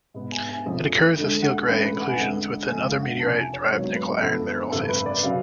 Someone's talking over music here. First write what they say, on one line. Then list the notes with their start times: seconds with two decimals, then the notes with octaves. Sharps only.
It occurs as steel gray inclusions within other meteorite derived nickel iron mineral phases.
0.14 G#2 G#3 B3
0.32 G#5
0.49 G#5
0.65 F2 F3 A3 C#4
1.17 D2 D3 G#3
1.42 F#5
1.67 A1 A2 G#3 B4
1.84 B4
2.01 F#5
2.08 G#5
2.16 F2 D3 G#3 F#5
2.69 F#1 F2 D3 F3 G#3 G#5
2.85 F5
3.02 F#5
3.19 F1 F2 C#3 F3 A5
3.37 G#5
3.54 C#5
3.70 G#1 G#2 F#3 B3 C#5
3.96 B4
4.21 F#2 D3 F3 B3 A4
4.46 B4
4.72 G#1 F#2 C#3 A4
4.89 B4
5.06 D5
5.23 C#3 F#3 C#4 F5